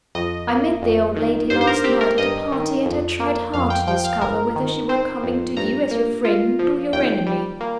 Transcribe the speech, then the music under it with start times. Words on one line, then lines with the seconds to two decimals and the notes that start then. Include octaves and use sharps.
I met the old lady last night at a party, and I tried hard to discover whether she were coming to you as your friend or your enemy.
0.15 F2 D#5
0.48 A#3
0.82 F2
1.16 D#3
1.50 G2 C5
1.61 C5
1.67 A#4
1.84 C4 G4
2.01 A#4
2.18 G2 D#5
2.52 D#3
2.86 F2
3.20 A#3
3.54 F2 F5
3.70 G5
3.87 F3 G5
4.04 F5
4.21 G1 A#4
4.56 D#3
4.89 C4 C5
5.23 F2
5.57 G2 A#5
5.91 A#3
6.25 F4
6.59 F3
6.93 D#2 G5
7.27 G3
7.61 A#3